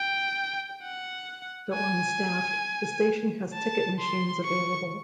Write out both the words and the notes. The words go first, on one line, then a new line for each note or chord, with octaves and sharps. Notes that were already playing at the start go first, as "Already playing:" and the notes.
Though unstaffed, the station has ticket machines available.
Already playing: G5
F#5
G#5
A5
C6
C#6